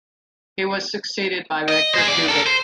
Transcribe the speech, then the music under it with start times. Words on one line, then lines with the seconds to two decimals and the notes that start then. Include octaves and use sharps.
He was succeeded by Victor Kubik.
1.68 D#5
1.94 G#4 C5
2.08 E2 D5
2.29 A4 A#4
2.46 C5